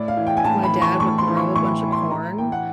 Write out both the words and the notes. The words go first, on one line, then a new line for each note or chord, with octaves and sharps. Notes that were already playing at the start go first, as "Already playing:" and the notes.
my dad would grow a bunch of corn,
Already playing: A2 D5
F5
E3
G5
G#5
A2 A5
B5
E3
C#6
A2 C#6
C6
E3
C#6
A2 C#6
E3
C6
A2 A#5
E3 G5
F#5